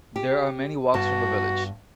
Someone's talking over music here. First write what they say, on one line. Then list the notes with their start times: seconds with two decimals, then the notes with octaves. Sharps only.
There are many walks from the village.
0.16 G4
0.94 G2 B3 F#4 A5